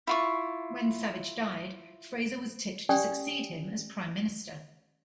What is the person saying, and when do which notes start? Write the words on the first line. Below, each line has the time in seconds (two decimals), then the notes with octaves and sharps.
When Savage died, Fraser was tipped to succeed him as Prime Minister.
0.07 E4 F4 C#6
2.89 C#4 G4 D5 G5 G#5 D#6